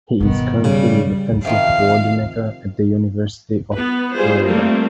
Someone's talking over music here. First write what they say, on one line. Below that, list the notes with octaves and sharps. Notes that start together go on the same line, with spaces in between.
He is currently the defensive coordinator at the University of Florida.
G2 B2 D#3 B3
C#3 G3
C3 D#3 F3 F5
B3 B4
G3 E4 F4 G#4 C5
G3 A3 A#3 C4 F4